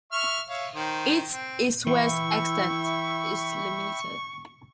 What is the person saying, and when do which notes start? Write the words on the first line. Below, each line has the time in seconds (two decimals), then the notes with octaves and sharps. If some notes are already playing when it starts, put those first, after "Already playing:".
Its east-west extent is limited.
0.12 E5 C#6 F6
0.49 C#5 E5 F5
0.75 D#3 C5
1.33 C4
1.87 E3 E4 E5 G5 B5 C#6